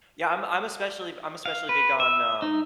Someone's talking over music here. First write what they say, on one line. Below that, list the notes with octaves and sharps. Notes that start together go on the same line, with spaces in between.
Yeah, I'm I'm especially I'm especially big on, um
F5
B4
E5
D#4